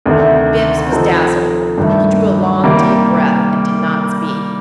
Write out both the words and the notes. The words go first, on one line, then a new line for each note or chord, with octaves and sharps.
Bibbs was dazzled; he drew a long, deep breath and did not speak.
D2 C3 D#3 A3
F3 C4 D#4 A4
G2 D#3 A3
C3 D#3 G3 A#3